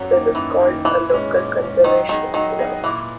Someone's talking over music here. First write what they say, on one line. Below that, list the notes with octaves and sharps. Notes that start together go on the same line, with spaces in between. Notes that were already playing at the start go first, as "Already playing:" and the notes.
This is called a "local conservation" law.
Already playing: F#2 F#3
D#3 A#3
F#2 E3
D#3 A#3
A#2 E3
G#3 C#4
A#2
G#3 C#4
D#3 F#3
D#3 B3 D#4 G#4 D#5
D#3 F#3
B3 D#4 G#4 D#5
A#2 E3